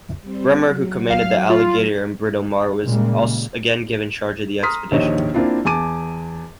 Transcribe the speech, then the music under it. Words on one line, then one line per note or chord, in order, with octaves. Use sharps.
Bremer, who commanded the "Alligator" and "Britomart", was again given charge of the expedition.
G3 C4
F#3
F5
F4
A#2 C#3 G3 G#3 A#3
A#5 C6 D#6 F6 B6
A#1 D#2 D#3 C5 C#5 D#5
A#3 C4 D4 E4 F4
E2 G#5 A5 D6 D#7